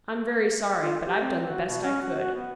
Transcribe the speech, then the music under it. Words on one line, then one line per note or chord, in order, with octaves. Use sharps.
"I'm very sorry; but I've done the best I could."
F4
G4
C4
F#4
B2
C#4
F#4
F#4
B3